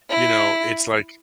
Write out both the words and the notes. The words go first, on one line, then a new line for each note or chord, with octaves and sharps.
you know, it's, like,
E4